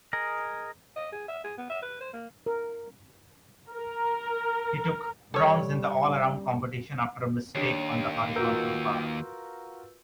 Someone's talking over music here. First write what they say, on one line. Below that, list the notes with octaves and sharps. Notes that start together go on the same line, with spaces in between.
He took bronze in the All-Around competition after a mistake on the horizontal bar.
G#4 A#4 D#5
D#5
G#4
E5
G#4
B3
E5
B4
C5
A#3
A#4
A#4
G3 A4 C#5
D#2 D4 G4 C#5
F4 F#4 A#4 B4 E6 G6